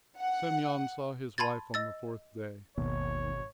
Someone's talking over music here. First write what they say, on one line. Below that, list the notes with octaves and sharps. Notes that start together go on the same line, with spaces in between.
Semyon saw his wife on the fourth day.
F#5
A5 B5 C6 G#6 A6
D#5 E6 A6
G#1 D#2 B2 C#5